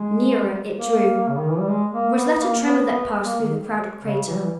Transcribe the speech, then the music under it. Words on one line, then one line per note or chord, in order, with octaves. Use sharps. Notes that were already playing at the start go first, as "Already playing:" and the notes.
Nearer it drew. Was that a tremor that passed through the crowded crater?
Already playing: G#3
A#3
C#3
D#3
E3
G3
G#3
A#3
B3
A#3
B3
B3
A#3
D#3
C#3
E3
G3
E3